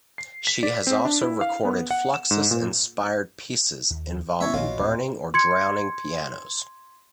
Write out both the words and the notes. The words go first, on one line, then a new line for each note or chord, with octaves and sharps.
She has also recorded Fluxus-inspired pieces involving burning or drowning pianos.
C7
B6
D5
C4
D4
E4
F5
B3
F#5
E7
G#2
A#2
D#2
B2 E3 G#3 C#4 C#5 E5
A#1 B2 F3 F4 C#5 F5
D1 A2 C4
C6 G#6 C#7